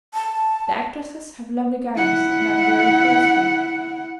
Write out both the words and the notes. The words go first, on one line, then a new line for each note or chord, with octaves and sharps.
The actresses have lovely gowns, and are very graceful.
A5
E4 F#5